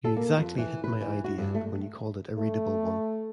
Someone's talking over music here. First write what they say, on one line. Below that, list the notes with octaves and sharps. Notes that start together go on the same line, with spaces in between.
You exactly hit my idea, when you called it a readable one.
A4
A#3
F2
E3
B4
E3
F#4
G2
A3
A3